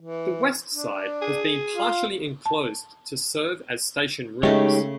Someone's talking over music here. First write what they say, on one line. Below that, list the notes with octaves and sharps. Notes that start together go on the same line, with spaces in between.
The west side has been partially enclosed to serve as station rooms.
E3
D4
G#4
F4
A5
C#3 G#3 A3 D#4 G4 C#5